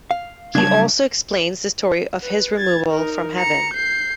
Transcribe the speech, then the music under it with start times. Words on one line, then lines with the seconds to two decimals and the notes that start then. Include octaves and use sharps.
He also explains the story of his removal from heaven.
0.11 F5
0.55 C#3 F#3 G3 D4 A5 G#6
2.22 B4
2.58 G#6 A6
2.88 D#4 A#4
3.38 A#5 C#7
3.74 G6 C7